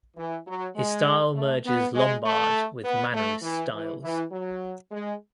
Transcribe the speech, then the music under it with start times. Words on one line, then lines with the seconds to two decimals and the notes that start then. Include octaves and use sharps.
His style merges Lombard with Mannerist styles.
0.16 E3
0.46 F#3
0.76 G#3
1.35 A3
1.65 B3
1.94 G#3
2.24 A3
2.84 B3
3.13 A3
3.42 E3
3.73 E3
4.02 E3
4.32 F#3
4.92 G#3